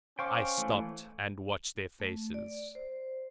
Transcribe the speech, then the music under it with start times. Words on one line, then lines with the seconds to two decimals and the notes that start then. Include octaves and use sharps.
I stopped and watched their faces.
0.19 C#4 C5 F5 G5 C#6 D6
0.58 E3 A3
2.00 A3
2.34 D5
2.75 C5